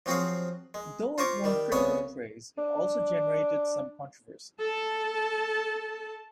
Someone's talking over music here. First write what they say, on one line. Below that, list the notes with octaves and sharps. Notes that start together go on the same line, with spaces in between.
Though it won critical praise, it also generated some controversy.
F3 F#3 C4 F#4 G#4 F5
G#3
F4 C5 A#5 C#6 D6
D#3 G3
C2 C#3 B3 C#5 G#5 D#6
D4
A4 A5